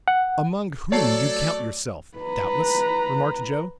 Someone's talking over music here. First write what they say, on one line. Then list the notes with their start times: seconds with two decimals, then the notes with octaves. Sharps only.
"Among whom you count yourself, doubtless," remarked Joe.
0.08 F#5
0.92 F#3 A3 A4 C#5 D5 A5 C7
2.18 B4 A#5